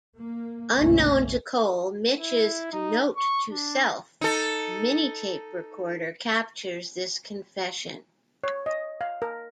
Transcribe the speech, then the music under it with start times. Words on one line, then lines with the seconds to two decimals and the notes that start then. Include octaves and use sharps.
Unknown to Cole, Mitch's "note to self" mini-tape recorder captures this confession.
0.19 A#3
0.75 G1 C2 B2 A3 A#3 C#4
2.15 E4
2.72 D#4
3.16 C#6
3.51 D4
4.21 D#4 A4
8.44 C#5
8.66 D#5
9.01 F5
9.22 A#4